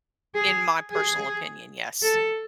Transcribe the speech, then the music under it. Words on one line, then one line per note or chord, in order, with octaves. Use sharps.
in my personal opinion, yes.
G#4
G#4
A4